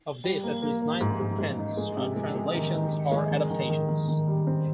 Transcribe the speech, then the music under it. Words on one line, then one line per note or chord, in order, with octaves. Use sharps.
Of these at least nine-tenths are translations or adaptations.
G3
A#3
A#3
A#3
G#2
G#2
G#2
D#4
G#3
C3
G#3
G#3
D#3
D#4
D#4
G#3
D#3
D#3
D#3
D#3
D#3
G3
C4